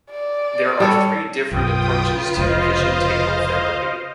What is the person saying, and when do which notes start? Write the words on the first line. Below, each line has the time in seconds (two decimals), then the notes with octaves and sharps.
There are three different approaches to kitchen table therapy.
0.11 D5
0.80 G3 A4 C#5
1.51 B1 F#2 C#3 F4 B4 G5 D#6
2.37 F1 C#2 C5 D#5 F5